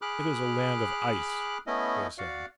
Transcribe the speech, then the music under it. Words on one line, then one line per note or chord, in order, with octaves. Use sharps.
"It is a land of ice," they said.
G#4 B5 D6 F6 F#6
A3 B3 C#4 E4 D#5
F#4 D5 F5 F#5